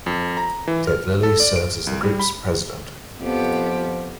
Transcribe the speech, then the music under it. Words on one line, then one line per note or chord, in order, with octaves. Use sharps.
Ted Lillie serves as the group's president.
F2
A#5
E3
F6
A4
D5
D7
C2
G3
B5
F2 F3 B3 G4